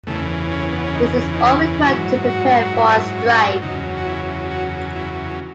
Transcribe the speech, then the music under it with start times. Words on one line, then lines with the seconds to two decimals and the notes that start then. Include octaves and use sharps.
This is all required to prepare for a strike.
0.07 E2 C#3 E3 A3
0.52 C#4
0.72 B3
0.84 C#4
0.95 D#4
1.34 D#4
1.40 E4
1.85 G#2 F#3 E4
2.29 F#4
2.65 F#4
2.74 E4
3.18 C#4
3.62 E2 C#3 F#3 D#4
3.97 F#4
4.07 E4
4.51 F#4
4.96 E4